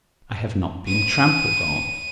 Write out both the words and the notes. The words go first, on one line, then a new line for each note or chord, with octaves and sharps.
I have not been trampled on.
D#7